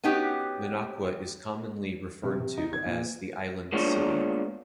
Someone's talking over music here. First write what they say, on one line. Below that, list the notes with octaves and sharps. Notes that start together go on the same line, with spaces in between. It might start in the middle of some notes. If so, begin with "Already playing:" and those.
Minocqua is commonly referred to as The Island City.
B3 C#4 D#4 F#4 G4
C3
C3
D#4
G#6
A#2
G#3 A#3 B3 D4 F4 C#5